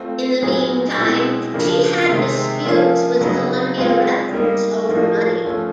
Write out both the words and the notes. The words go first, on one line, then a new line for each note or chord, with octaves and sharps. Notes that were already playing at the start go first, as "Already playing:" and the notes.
In the meantime, she had disputes with Columbia Records over money.
Already playing: A3 C4 F4
A#2 F#3 B3 D#4 G#4
B2 G#3 C4 E4
C#3 F3 A#3 D4
C3 D#3 G#3 C4
F3 A#3 C#4 F4
C#3 F#3 B3 D#4
G#3 C4 F4
G3 A#3 D#4
A2 F3 A#3 D#4
F3 A3 C#4